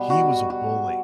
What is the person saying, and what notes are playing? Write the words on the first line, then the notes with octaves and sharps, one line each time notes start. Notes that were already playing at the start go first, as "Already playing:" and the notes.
he was a bully.
Already playing: B2 G3 B3
F#4
F#4